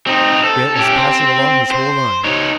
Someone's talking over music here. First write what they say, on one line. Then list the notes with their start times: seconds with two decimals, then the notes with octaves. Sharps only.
Grant was passing along his whole line.
0.07 C4 D#4
0.44 A4
0.75 C#4 G4
0.96 C4
1.71 C5
2.24 D#4 C#5